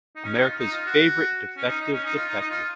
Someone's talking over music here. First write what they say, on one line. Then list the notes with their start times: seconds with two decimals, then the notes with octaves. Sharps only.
America's Favorite Defective Detective!
0.16 D#4
0.24 C#4
0.34 D#4
0.41 F4
0.60 D#4
0.72 F4
0.87 F#4
1.57 C#4
1.68 D#4
1.80 D#4
1.92 C#4
2.05 D#4
2.16 F4
2.28 D#4
2.40 D#4
2.51 F4